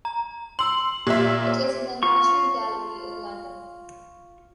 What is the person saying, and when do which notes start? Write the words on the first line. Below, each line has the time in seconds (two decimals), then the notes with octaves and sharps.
It is in the National Gallery in London.
0.05 A#5
0.59 C6 E6 F#7
1.07 A#2 G4 E5
2.03 F4 C#6